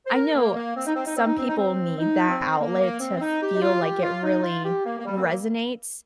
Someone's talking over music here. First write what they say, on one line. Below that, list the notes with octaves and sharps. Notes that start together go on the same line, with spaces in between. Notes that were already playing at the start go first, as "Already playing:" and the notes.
I know s some people need that outlet to feel like it really resonates,
C5
A#4
A#3
A#3
C4
D#4
C4
D#4
C4
D#4
C4
D#4
C4
D#4
C4
A#3
A#3
C4
C4
D#4
G4
D#4
F4
G4
F4
D#4
F4
G4
A#3
A#3
G3
C4
A#3